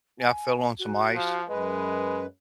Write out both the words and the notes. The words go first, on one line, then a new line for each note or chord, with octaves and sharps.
I fell on some ice,
G#5
F#4
F3 F5
F#2 G#3 B4 D#5